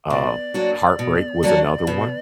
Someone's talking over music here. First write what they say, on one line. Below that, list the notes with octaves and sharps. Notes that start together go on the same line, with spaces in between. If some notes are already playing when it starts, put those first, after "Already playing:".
um, heartbreak was another one,
B2 D5
F#3 A#3 D4 F#4
B2
F#3 A#3 D4 F#4
B2